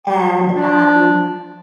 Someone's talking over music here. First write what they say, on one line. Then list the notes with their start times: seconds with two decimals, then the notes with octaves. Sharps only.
and, um,
0.55 D4